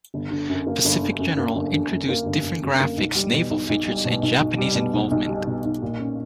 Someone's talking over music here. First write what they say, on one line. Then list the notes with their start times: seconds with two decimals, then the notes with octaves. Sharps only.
"Pacific General" introduced different graphics, naval features, and Japanese involvement.
0.14 G1
0.31 D3
0.49 F#2
0.67 A#3
0.85 G1
1.02 D3
1.19 F#2
1.37 A#3
1.56 G1
1.73 D3
1.92 F#2
2.09 A#3
2.26 G1
2.44 D3
2.63 F#2
2.80 A#3
2.97 B1
3.15 G3
3.33 B2
3.50 B1
3.69 B1
3.87 G3
4.05 B2
4.22 B1
4.40 B1
4.58 G3
4.75 B2
4.93 B1
5.11 B1
5.28 G3
5.47 B2
5.65 B1
5.82 A#2
5.99 C#4